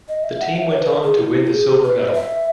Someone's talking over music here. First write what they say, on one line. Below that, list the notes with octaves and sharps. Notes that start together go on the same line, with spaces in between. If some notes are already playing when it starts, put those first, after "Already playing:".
The team went on to win the silver medal.
D#5
E5
F#5
E5
C#5
B4
A#4
G#4
E4
G#4
B4
D#5
E5